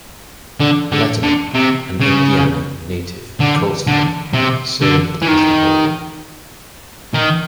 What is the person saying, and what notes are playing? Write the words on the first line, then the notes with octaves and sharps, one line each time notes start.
Letterman, an Indiana native and Colts fan, served as the holder.
D3
D3
D3
C3
C#3
D3
D3
C3
D3
E3
D#3
D#3